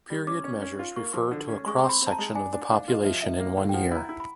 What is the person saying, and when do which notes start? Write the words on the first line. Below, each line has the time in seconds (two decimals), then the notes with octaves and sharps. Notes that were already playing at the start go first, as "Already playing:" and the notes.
"Period" measures refer to a cross-section of the population in one year.
0.10 G3
0.27 C#4 D6
0.44 C#4
0.62 C#4
0.79 F4
0.96 A#3 C#6
1.14 F3
1.31 D3
1.48 C#4
1.66 G#3 C#6
1.79 C4 C6
1.89 B5
2.01 C4
2.07 A5
2.12 A#5
2.19 G#3
2.35 D4 G#5
2.53 D4
2.70 D4 F5
2.88 F4
2.93 D#5
3.05 F3 E5
3.22 D#4 E5
3.40 A#3
3.57 D3 F5
3.69 G5
3.74 F3 F#5
3.91 E4
3.97 A#5
4.09 E4
4.20 B5